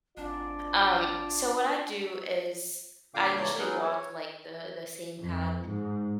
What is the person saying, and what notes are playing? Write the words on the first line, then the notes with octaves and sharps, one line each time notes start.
Um, so what I do is I usually walk, like, the the same path
G#1 D4 F4 D5
A#2 D3 F5 G5 D6
E2 C#3 C#5 D5 A5 A#5
F#3 B3 D#4 G#4 A#4 B4
C#5
F2
G#2